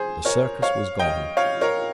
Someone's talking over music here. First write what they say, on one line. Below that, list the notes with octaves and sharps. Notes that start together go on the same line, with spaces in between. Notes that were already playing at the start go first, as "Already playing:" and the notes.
The circus was gone.
Already playing: G#4 C5
A#4 C#5
C#5 F5
D#5 G5
C#5 F5
A#4 C#5